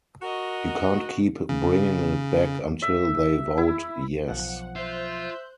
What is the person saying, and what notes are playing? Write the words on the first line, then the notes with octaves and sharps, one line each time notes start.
You can't keep bringing it back until they vote 'yes'.
F#4 A#4 D#5
C#3
E5
E4
B1 F3 F#5
F4 C5 E5 F#6 G6